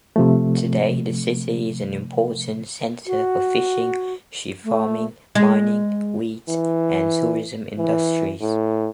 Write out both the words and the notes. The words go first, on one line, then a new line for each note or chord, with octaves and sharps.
Today, the city is an important center for fishing, sheep farming, mining, wheat, and tourism industries.
C3 F3 A3
F#4
A3
G#3
E3
E3
A2